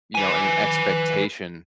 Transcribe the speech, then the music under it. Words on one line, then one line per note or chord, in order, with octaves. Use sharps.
you know, and an expectation,
B4 G#5